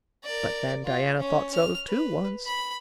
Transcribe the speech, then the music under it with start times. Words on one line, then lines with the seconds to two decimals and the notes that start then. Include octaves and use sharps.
But then Diana thought so too, once.
0.23 A#4 D5
0.85 F4
1.18 C#4
1.54 F6
1.86 B4
2.46 B5